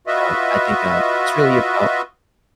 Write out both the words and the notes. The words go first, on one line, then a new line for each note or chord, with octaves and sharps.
uh, you know, I think, uh, it's really about,
F4 F#4 B4 D#5 E5